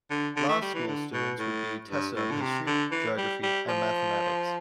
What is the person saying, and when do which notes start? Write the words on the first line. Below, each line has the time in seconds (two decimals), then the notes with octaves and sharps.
Law School students would be tested on History, Geography and Mathematics.
0.11 D3
0.36 D3
0.49 A3
0.62 G3
0.74 E3
0.88 D3
1.13 B2
1.39 A2
1.90 G2
2.16 A2
2.31 D3
2.41 C3
2.67 D3
2.92 E3
3.18 G3
3.43 G3
3.68 F3